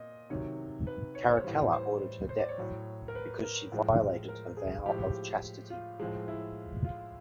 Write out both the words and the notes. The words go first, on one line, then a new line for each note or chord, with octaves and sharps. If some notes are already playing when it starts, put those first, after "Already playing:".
Caracalla ordered her death, because she violated her vow of chastity.
Already playing: A#2 D#5
C3 D#3 F#3 C#5
B4
C#5
C5
C#5
A2 E3 G3
C5
C5
D5
C#5
A2 F#3
A#4
B4
A#4
A2 F3 G#3
A#4
G#4
A2 F3 G#3 G4
G4
F4
A2 F3 G#3
E4
F4